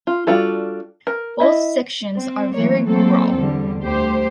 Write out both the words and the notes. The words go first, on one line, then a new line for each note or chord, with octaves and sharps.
Both sections are very rural.
F4
G3 D4 F4 F#4 A4
A#4
E4 D#5 E5
C4
E3 F#3 A3 A#3 C#5
F#3 A#3 C4 A4
E2 D3 G3
D2 G4 C5